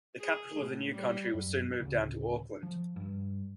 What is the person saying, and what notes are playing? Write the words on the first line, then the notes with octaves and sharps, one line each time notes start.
The capital of the new country was soon moved down to Auckland.
G#4
A2
G3
F#2
A1 D2 C#3
F3
G2